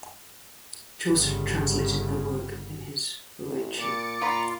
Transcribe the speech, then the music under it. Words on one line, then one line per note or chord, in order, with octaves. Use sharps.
Chaucer translated the work in his "Boece".
G1 C#3
A1
A#2 D6 A6 C#7
A#2 F4 A#5 B5